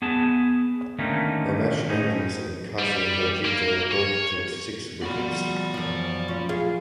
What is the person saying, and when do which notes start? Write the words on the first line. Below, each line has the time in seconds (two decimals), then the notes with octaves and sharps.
Ramesh Mendis and Kasun Rajitha both took six wickets.
0.02 B3 G#4 A5
0.99 D3 D#3 A3 A#3 C#4 D#4
1.88 A2 C#4 D#4
2.79 G3
3.45 A#3
3.92 C#5
5.02 E2 A#2 F#4 D5 B5
5.74 F#2 F3
6.28 F3 C#4
6.49 F4 G#4